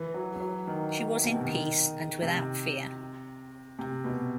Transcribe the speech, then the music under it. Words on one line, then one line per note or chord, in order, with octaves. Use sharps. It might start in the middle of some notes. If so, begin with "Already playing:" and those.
"She was in peace and without fear."
Already playing: E3
F#3
F#3
D#3
B2
C3
D#3
C3
C3
B2